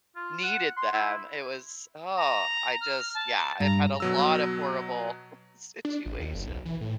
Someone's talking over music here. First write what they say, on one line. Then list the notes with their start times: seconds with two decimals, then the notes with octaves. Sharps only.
needed them, it was, oh, I just yeah, I've had a lot of horrible situations.
0.16 F4
0.44 F#5
0.77 C6
0.93 E4
2.16 A#5
2.81 F6
3.14 A5
3.60 G2 A#5
4.00 B2 F#3 E6
5.85 D4
6.06 A1
6.20 D#2
6.35 F#1
6.47 B1
6.66 E3
6.81 A2